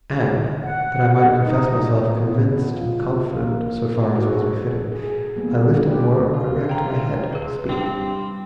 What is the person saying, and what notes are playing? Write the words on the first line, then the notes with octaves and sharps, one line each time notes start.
And, that I might confess myself convinced And confident, so far as was befitting, I lifted more erect my head to speak.
F#5
D#4
B2
F4
A#3
F#4 G#4 A4 B4 D#5
G#4
E3 G3 A#3 B3
A3 G4 G#4 B4 C5 D5
F4
G5 A#5
G#4 B4
G2 C4 G4